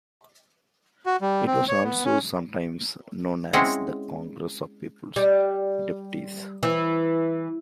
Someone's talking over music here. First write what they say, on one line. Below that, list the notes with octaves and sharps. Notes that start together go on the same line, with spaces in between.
It was also sometimes known as the Congress of People's Deputies.
F#4
G3
C4
C#5
B3
C#4
G#3 C4 C#4 E4 F#5
G3
E3